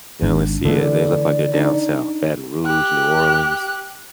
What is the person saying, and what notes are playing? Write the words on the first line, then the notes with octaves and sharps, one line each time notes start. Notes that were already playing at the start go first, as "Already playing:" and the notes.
Now let's see, yeah, they look like they're down south, Baton Rouge, New Orleans,
G#1 D4
D3 E3 A3 A#3 D4 A4
D5
D4 D#4
G4 F#6